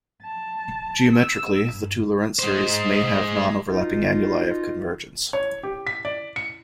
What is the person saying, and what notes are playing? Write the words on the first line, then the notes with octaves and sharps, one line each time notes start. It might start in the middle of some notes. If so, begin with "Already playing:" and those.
Geometrically, the two Laurent series may have non-overlapping annuli of convergence.
A5
E6
G2
G#3 C5
B2 D#4 F4
C#5
G4
B6
D5
C#7